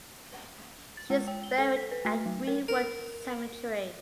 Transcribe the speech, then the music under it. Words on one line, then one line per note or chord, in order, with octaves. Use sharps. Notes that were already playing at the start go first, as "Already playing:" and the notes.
She is buried at Greenwood Cemetery.
A6
G#3
G5
G7
A4
B6
B4
A3
F#3
A#4
A#4